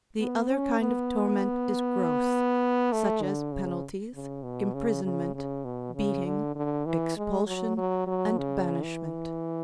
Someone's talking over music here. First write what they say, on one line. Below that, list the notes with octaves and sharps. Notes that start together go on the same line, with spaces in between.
The other kind of torment is gross--such as penalties, imprisonment, beating, expulsion and banishment.
B3
C#4
B3
A3
D3
C#3
C#3
B2
C#3
C#3
C#3
B2
C#3
D3
D3
E3
G#3
F#3
F#3
F#3
C#3
E3